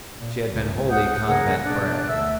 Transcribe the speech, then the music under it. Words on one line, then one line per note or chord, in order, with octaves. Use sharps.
She had been wholly convent-bred.
A#2
C#2
F#5 D#6 G6
C#3 A#3 G#4 A#4 F#5
B2 D4 F#6
D2 D3 E5 E6